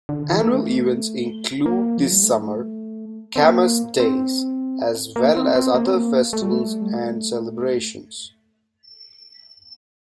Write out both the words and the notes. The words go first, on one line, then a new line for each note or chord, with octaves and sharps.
Annual events include the summer "Camas Days", as well as other festivals and celebrations.
D3
E3
A#3
A3
A#3
F3
G3
A3
C4
A#3
C4
A#3
C4
C4
A#3
C4
A#3
A3
G3
A3
G3
A3